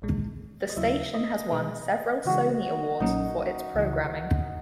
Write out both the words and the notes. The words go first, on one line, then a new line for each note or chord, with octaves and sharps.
The station has won several Sony Awards for its programming.
A#1 A#2 G#3
D#5
D#2 C#3 F#3 A#3 E4 E5
D#5
B2 G#3 D#4 G#4 B4
C#3 E3 G#3 F#4
B1 A#2 F#3 A#3 C#4 D#4
C#2 C#3 E3 A#3 E4